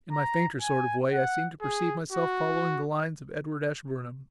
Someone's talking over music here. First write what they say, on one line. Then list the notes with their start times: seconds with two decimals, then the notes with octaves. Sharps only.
In my fainter sort of way I seem to perceive myself following the lines of Edward Ashburnham.
0.12 A#5
0.62 G#5
1.13 F#5
1.62 G#4
2.12 F#4